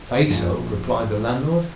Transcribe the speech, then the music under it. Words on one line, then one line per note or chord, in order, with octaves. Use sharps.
"Say so!" replied the landlord.
A#1